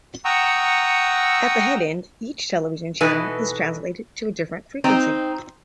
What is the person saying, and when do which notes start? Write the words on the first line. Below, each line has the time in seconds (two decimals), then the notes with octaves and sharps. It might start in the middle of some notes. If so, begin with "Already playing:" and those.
At the headend, each television channel is translated to a different frequency.
0.25 F#5 G5 A#5 C#6 D#6 E6
3.00 B2 E3 D#4 A4 B4 G#5
4.84 C4 D#4